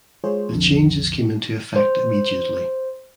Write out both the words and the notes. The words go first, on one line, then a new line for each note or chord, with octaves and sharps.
The changes came into effect immediately.
G#3 F4 G#4 C5 C#5
B1 F2 D3
C5